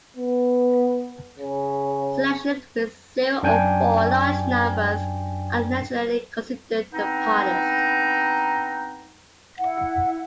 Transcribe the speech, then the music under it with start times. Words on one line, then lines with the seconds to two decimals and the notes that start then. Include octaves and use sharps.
Selections with zero or four large numbers are generally considered the hardest.
0.16 B3
1.39 C#3
3.43 F#2 D4 G5 G#5 G6
6.93 B3 C4 D4 D#4
9.59 E4 F#5